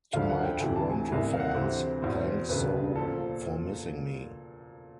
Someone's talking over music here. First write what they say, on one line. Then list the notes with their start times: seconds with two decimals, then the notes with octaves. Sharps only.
To my Toronto fans, thanks so for missing me.
0.13 D2 D3 F3 F5
0.29 F#5
0.45 G5
0.60 D2 C3 E3 G#5
0.76 A5
0.92 G#5
1.08 C2 C3 E3 G#5
1.33 F5
1.40 F#5
1.54 D2 C3 E3 C5
2.01 E2 B2 C5
2.49 E1 D2 C#3 B4
2.96 A#2 F3 A4